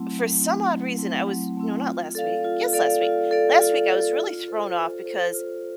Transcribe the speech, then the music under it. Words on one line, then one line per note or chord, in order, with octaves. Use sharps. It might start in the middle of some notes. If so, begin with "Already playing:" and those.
for some odd reason, I was no, not last week yes, last week. Last week, I was really thrown off, because
Already playing: F#3 A3 C4 E4
F#3
A3 C4 E4
F#3
A3 C4 E4
F#3
A3 C4 E4
F4
A4 D5 F5
F4
A4 D5 F5
F4
A4 D5 F5
F4
A4 D5 F5
F4
A4 C5
F4
A4 C5
F4